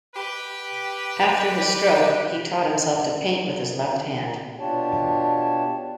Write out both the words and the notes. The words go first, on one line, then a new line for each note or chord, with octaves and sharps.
After his stroke, he taught himself to paint with his left hand.
G4 B4
B2 D4 F4 G4 C#5 A5